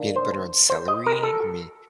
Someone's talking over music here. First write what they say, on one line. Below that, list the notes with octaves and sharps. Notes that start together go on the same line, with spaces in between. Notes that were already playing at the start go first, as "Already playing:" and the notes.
peanut butter on celery- I mean
Already playing: D#3 A#3 D4
C5
C5
D#5
A#4
A4